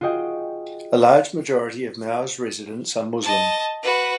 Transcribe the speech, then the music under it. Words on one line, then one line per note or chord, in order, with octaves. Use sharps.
A large majority of Mao's residents are Muslim.
F4 F#4 G#4 D#5 G5
D#5 A5
F#4 B4